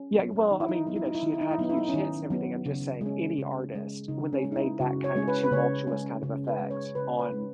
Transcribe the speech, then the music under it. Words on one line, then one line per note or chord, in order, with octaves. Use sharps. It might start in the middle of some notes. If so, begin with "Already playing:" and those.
Yeah, well, I mean, you know, she had had huge hits and everything. I'm just saying any artist when they've made that kind of tumultuous kind of effect on
Already playing: C#4
F#3 B3
D#3 D#4
E4
D#4
E4
F#3 B3 D#4
E4
D#4
E4
D#3 D#4
E4
D#4
E4
F#3 B3 D#4
E4
D#4
C#4
D#3 D#4
F#3 B3
C#3
G#3 C#4
C#3
G#3 C#4
C#3 D#4
C#4
G#3 C#4
D#4
E4
C#3 F#4
C#5
G#3 C#4
B4
B4
C#3 C#5
C#4
G#3
C#3
B4
G#3 C#4
C#5
C#3 B4
B4
G#3 C#4